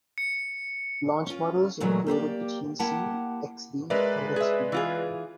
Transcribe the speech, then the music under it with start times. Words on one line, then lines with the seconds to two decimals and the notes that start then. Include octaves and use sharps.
Launch models included the tC, xD, and xB.
0.18 C#7
1.27 C#4 F4
1.80 A#2 E3 F#3 G#3 A3 F#4
2.07 A#3 G4 C5 D5
2.79 A#3 E4 G4 F#5 A5
3.90 G#3 A#4 B4 D5 E5
4.36 G#4 E5
4.72 E3 F4 G#4